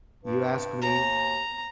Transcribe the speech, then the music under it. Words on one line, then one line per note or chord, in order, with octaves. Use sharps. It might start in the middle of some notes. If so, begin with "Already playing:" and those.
you ask me,
G2
D#2 A#5